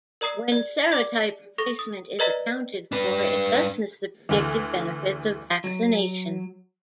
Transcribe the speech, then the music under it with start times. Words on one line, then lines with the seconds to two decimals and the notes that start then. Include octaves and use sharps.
When serotype replacement is accounted for, it lessens the predicted benefits of vaccination.
0.21 A#4 D5 A#5 D#6 C7
0.52 D5
0.92 D5 D6
1.58 A4 C#6 A#6
1.79 D#6
2.19 A#4 B4 D5 D#5 A#5 B6
2.92 D4 B4
4.29 D2 E3
5.64 F#3